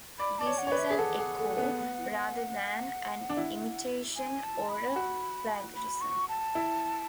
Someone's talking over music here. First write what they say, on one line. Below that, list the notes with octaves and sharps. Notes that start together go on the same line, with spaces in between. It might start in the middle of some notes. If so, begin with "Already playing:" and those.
This is an echo rather than an imitation or a plagiarism.
D5 B5
D5 A5
C#5
F#5
C#5
B4 D5
E5
G#4
A4 F#5
G#4
A3
B3
D4
E4
G#5
A5
B5
F#4
B5
C#6
A5
E4